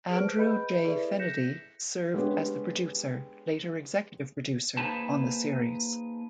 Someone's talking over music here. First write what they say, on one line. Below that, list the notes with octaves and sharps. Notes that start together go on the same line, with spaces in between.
Andrew J. Fenady served as the producer, later executive producer, on the series.
G#4 B4 C5 A5 F6 D7
G#4 B4 D#5 F#5 B5 G6
E4 G#4 A4 B4 D5 E5
F#6 G6 A#6 B6 C#7 E7
G#3 B3 C#4 D4 G4
A#3 D#4 G#4 B4 C5 A5